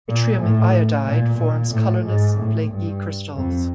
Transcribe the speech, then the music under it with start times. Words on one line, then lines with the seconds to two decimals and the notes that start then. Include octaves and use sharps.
Yttrium iodide forms colorless flaky crystals.
0.08 A#2
0.41 A2
1.07 A#2
1.39 A#2
1.72 A2
2.04 G#2
2.38 A2
2.71 G2
3.35 F2